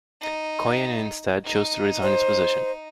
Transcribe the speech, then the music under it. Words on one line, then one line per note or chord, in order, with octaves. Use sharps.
Koyen instead chose to resign his position.
D#4
D#4
C5